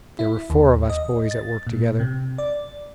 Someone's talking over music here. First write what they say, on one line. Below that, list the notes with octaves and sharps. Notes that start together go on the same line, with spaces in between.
There were four of us boys at work together.
E4
D#2
D#5
A6
A#2
C3
D5